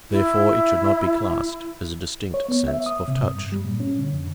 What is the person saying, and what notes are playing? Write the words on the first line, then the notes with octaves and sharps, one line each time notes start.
Therefore it should not be classed as a distinct sense of touch.
E4
C#5
B3
E5
D#6
C3
G2
G3
A#2
C#4
D3
F2